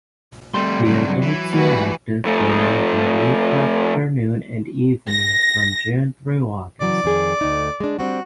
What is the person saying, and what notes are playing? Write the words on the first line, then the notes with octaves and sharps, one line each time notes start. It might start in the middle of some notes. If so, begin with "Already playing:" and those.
The adults are active during the late afternoon and evening from June through August.
G3 A3 C4 D5 C6
G2 C#3 F#3
E3
G3 A3 F#4 B4
F2 A3
A#6
C#3 E3 F#3 D5
F2 D#3 G#4
D2 D#4
G#3 D4
G3 C4 D4 F#4